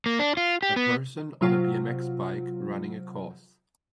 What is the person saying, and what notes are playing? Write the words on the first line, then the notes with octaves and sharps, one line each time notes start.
A person on a bmx bike, running a course.
A#3
D4
F4
G4
B3
C3 F#3 F4